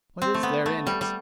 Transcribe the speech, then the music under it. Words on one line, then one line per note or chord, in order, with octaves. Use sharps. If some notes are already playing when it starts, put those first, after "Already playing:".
What is there in it?
C4
A3
B3
A3
G3
G3